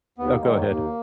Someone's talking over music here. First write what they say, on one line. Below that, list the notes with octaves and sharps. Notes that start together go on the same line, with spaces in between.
Oh, go ahead.
D#2 B3
A#3
D#3 F#3 G#3
A#3
D#2 A#3